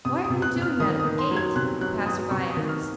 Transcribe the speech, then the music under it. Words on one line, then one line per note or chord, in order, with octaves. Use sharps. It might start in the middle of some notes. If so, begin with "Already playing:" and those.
"Why are you doing that at the gate?" a passer-by asked.
C3 D#6
D#6
C3
F#6
C3
F6
D#3 D#6
D#6
D#3
C6
F#3
G#6
C3 F#6
F#3 F#6
F#3 D#6
C3 C#6
D#6
D#3
F6